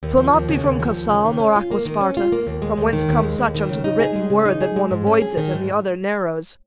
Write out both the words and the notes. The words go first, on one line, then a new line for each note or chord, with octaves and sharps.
'Twill not be from Casal nor Acquasparta, From whence come such unto the written word That one avoids it, and the other narrows.
D#2
F3
D#2
C#3
D#2
F3
D#2
C#3
D#3
C#4
F4
A#3
D#3
C#4
F4
A#3
D#2
G#3
D#2
D#3
D#2
G#3
D#2
D#3
C#3
D#4
G#4
G#3
C#3
D#4
G#4
G#3
G#2
C#4
G#4
D#3
G#2